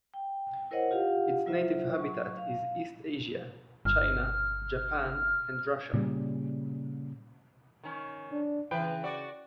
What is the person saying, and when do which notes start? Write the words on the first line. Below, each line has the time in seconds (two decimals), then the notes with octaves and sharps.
Its native habitat is East Asia, China, Japan, and Russia.
0.14 G5
0.71 E4 A#4 C5 C#5 D#5 F#5
0.91 F4 G4 F5 F#5
1.46 F#3 E4 F4 C5 E5
1.95 F#3 C#6
2.37 F5
3.85 G1 F6
5.94 A#2 C#3 G3
7.84 D#3 C#4
8.32 D4
8.71 C#3 E3 B4 G5
9.04 F#4 D5